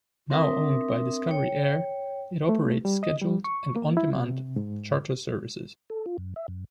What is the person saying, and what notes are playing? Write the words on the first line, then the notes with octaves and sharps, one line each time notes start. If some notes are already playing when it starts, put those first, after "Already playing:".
Now owned by Discovery Air, it operates scheduled and on demand charter services.
C4 D4 A#4 B4 E5 D#6
C#5 G5
A3
G3
D#5
G3
C#6
A#3
E4
C3
G#2
A4
F4
F#2
E5
F#2